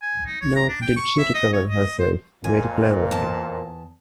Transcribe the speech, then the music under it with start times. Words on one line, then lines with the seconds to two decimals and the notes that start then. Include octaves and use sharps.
Nor did she recover herself very cleverly.
0.02 G#5
0.26 D#4
0.41 C#5
0.56 A#5
0.69 D4
0.82 G5
0.97 C#6
1.19 E5
1.35 D#5
1.53 C#5
1.69 D#5
2.00 C5
2.44 F2 A#2 G#5
3.11 E2 A5